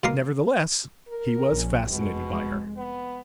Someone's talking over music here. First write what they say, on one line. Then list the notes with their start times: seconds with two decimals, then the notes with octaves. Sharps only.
Nevertheless, he was fascinated by her.
0.03 B2 A#3 A#4 C6
1.08 A#4
1.46 A#1 C#4
1.90 F1 B2 G#3
2.77 B3